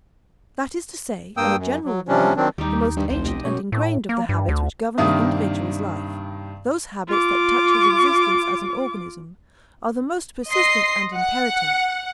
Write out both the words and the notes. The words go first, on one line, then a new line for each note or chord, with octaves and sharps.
That is to say, in a general way, the most ancient and ingrained of the habits which govern the individual's life--those habits that touch his existence as an organism--are the most persistent and imperative.
G2 A#3 G5 D#6 E6
F#2
F#3
C3 F3 G3 C#4 D4
D#3 F#3 C4 D4
D#2 G3 D#4 G4
G2 D#3
F1 B1 C5
G4 D#5
F#2 B2 C#5
A2
A#3
G2
D2
G2 C3 D#3 A#3 E5 D#6
F4 D6
D#5 C6 C7
F#5